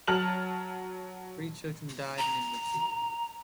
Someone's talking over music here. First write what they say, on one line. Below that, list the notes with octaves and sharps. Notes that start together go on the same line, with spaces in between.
Three children died in infancy.
F#3 A5 F6 F#7
A#5